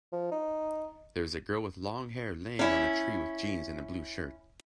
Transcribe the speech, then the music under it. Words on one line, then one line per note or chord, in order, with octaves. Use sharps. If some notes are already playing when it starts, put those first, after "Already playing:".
There is a girl with long hair laying on a tree with jeans and a blue shirt.
F3
D#4
C#4 E4